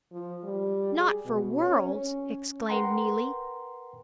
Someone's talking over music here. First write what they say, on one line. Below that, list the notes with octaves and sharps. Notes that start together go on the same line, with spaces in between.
"Not for worlds!" exclaimed Neelie.
F3
G3
G#4
B2
C#4
C#4
A#4 B4 F#5 G5 A#5 C6